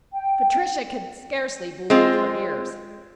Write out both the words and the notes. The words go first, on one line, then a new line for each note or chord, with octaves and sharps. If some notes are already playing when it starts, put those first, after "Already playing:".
Patricia could scarcely believe her ears.
G5
G#3 C4 F4